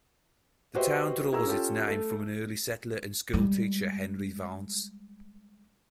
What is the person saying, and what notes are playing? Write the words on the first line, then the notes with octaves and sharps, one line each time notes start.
The town draws its name from an early settler and school teacher Henry Vance.
F#4 G4 B4 C5 D#5 E5
E4 F#4 G#4 A#4 A#5 E6
C#4 F4 G4 A4
A3 A4
G3 G#3